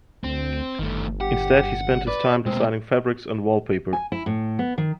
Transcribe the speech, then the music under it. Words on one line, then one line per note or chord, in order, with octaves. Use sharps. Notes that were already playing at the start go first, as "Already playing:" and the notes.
Instead he spent his time designing fabrics and wallpaper.
D2 C4
G1 D#3 A3
G4 F#5
B4 D5
B2 G#3 A#3 C4
G#5
E4
A2
B3
D#3